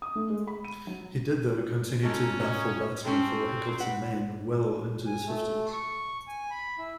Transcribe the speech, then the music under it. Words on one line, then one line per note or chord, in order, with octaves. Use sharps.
He did, though, continue to baffle batsmen for Hickleton Main well into his fifties.
D#6
A3
G#3
B5
D#7
F#3
A#2 C#4 D#4 A4
F#3 D#5
C4 C#4 G4 A4
B4 F#5
G#5
A3
C#6
G#5
B5
E4